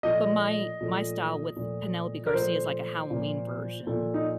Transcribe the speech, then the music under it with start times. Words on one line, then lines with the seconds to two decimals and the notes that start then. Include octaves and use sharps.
but my my style with Penelope Garcia is like a Halloween version
0.03 A#2 F3 A3 D#5
0.81 A#2 F3 A3
1.57 A#2 F3 A3
2.27 A#4
2.34 A#2 F3 A3 C5
3.11 A#2 F3 A#3
3.87 A#2 F3 A#3 A4
4.14 D#4